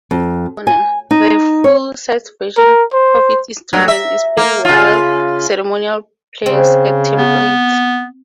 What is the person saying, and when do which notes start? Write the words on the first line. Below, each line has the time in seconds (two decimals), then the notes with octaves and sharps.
The full sized version of this instrument is played while ceremonial prayers at temples.
0.11 F2
0.67 G#5
1.11 D#4
1.64 C#5
2.58 A#4
2.93 C5
3.73 G2 F#3
3.88 E5
4.37 A#3
4.65 C#3 F4
6.46 C#3 C4
7.18 B3